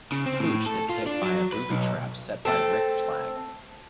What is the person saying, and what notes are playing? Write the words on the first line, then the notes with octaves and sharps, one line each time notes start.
Pooch is hit by a booby trap set by Rick Flag.
C#3
C4
A2
A4
F4
D4
F#3
B4
B1
A3 C4 A4